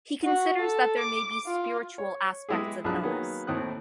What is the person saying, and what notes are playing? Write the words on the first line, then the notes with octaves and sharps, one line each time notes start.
He considers that there may be spiritual aspects of illness.
F#4
A4
D6
F4
C#5
G#3 B3 E4 G4 G#4
B1 F3 D4 G#4 B5 F#6
D#3 F#3 A#3 B3 G#4
D#2 A2 C4 D#6 F#6